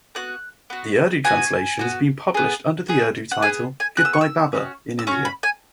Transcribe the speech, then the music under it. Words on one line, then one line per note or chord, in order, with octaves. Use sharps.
The Urdu translation has been published under the Urdu title "Goodbye Baba" in India.
B3 F#4 F#6
B3 F#4
B3 F#4 G#5
B3 F#4
B3 G#4
B3 G#4
F#5
B3 G#4 G#5
G#5
B3 G#4 F#6
E6
C#6
E6
C#4 F#4
E6
C#4 F#4 C#6
B5
G#5